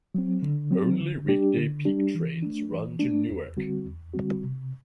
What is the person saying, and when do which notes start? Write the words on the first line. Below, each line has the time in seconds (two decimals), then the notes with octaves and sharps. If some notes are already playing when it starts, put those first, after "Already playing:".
Only weekday peak trains run to Newark.
0.15 F#3 C4
0.42 D3
0.71 F#3 C4
1.00 D3
1.28 G3 D4 G4
1.57 D3
1.85 G3 D4 G4
2.15 E3
2.43 A3 D4
2.72 E3
2.99 A3 D4
3.28 E2
3.57 D3 G3 C4 F#4
3.85 E2
4.14 D3 G3 C4 F#4
4.43 C3